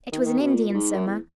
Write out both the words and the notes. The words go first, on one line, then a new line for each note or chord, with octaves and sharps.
It was Indian Summer.
D#3
E3
D#3
B2
A#2
A#2
G#2
F#2
E2